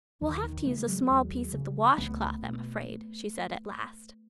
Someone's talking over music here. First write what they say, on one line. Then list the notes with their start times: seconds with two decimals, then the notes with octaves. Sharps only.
"We'll have to use a small piece of the wash-cloth, I'm afraid," she said at last.
0.21 D#2 D#3
0.43 D#3
0.65 C#3 G3 A3
0.87 F#3 G#3
1.09 D#2
1.53 C#3
1.97 C#2 A3 B3
2.42 B2